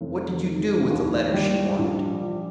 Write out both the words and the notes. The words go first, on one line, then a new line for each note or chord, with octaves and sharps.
"What did you do with the letters she wanted?"
F1
D#3
D#2
G3
A#1
F3